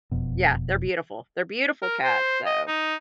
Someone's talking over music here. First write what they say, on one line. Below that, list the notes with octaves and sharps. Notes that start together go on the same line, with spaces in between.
yeah, they're beautiful. They're beautiful cats, so
E1 F2 B2
A#4
C5
D#5
D#4